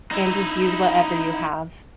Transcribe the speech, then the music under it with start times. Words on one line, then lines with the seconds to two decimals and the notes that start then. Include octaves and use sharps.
and just use whatever you have.
0.11 D#4 E4